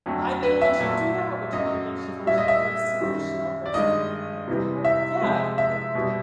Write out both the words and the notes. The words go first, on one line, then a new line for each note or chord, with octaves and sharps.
I mean, would you do that? Would you bring a Givenchy purse to the Chanel purse or something to the dog park? Yeah, it's weird.
F2 D3 F#3 A3
B4
E5
A#2 F#3 A3
F#2 C#3 F#3 D#5
A#2 G3 E5
D#5
E5
F#2 D#3 G3
D5
G2 D#3 G#3 D#5
C3 E3 G3
E5
C3 F3 G#3
E5
B2 G3